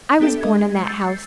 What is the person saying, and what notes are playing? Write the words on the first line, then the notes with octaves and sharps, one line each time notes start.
I was born in that house.
B3 D4 G4 A4 E5
G#3 D#5 G#6
E6 G6 A6 C7 C#7